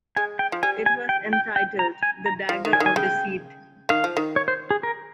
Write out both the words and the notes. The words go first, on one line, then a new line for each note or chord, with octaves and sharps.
It was entitled "The Dagger of Deceit".
G#3 G#5
G5
F3
G3 G#5
G#5
G5
G5
G5
A#5
G#5
A#5
F3
D#3
G#5
D#3
G#5
C#3 G5
D#3 F5
F3
D#3
C#5
C5
G#4
A#4